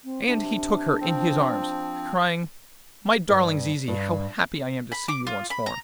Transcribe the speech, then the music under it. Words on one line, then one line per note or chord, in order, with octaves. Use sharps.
And he took her in his arms, crying: 'My darling Zizi, how happy I am to see you once more!'
C4
C3 D4
F3 C4
G2
G2
B5
D6
F4
B5
A#5